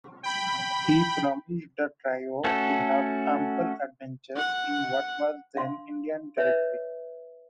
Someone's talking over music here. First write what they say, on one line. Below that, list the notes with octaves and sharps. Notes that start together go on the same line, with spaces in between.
He promised the trio would have ample adventures in what was then Indian Territory.
G5 B5
A3 C#4 F#4 A4
F#5
D4 F5 C6
B4 C#5 E5